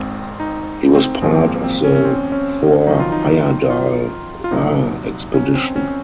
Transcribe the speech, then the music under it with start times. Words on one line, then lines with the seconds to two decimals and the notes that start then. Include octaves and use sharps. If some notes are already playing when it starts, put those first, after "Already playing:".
He was part of the Thor Heyerdahl Ra expedition.
Already playing: G#1 G#2 D#3 G#3 C4
0.40 D#4
0.95 C4
1.22 G#1 F#2 F3 G#3 C4
1.34 C4
1.43 A#3
1.64 C4
1.84 C#4
1.95 C#4
2.05 C4
2.32 C#4
2.87 F2 D#3 F#3 D#4
3.00 F4
3.12 D#4
3.70 F4
4.44 F4
4.51 C2 A#2 F#3 D#4
5.34 C#4
5.55 C4
5.76 C#4